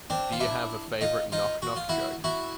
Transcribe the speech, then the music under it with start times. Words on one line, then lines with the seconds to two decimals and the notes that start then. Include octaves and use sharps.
Do you have a favourite knock knock joke?
0.10 C4 D4
0.32 F4
0.40 D4 E4
1.01 D#4 F4
1.32 D#4 F4
1.62 F#4
1.76 F4
1.89 E4 F#4
2.24 E4 F#4